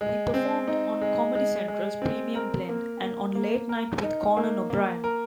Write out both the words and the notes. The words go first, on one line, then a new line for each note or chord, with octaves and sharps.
He performed on Comedy Central's "Premium Blend" and on "Late Night with Conan O'Brien".
G#3
C4
D#4
G#3
G#3
G#3
C4
A#4
A#3
A#3
A#3
A#4
D#4
A#3
A#3
A#4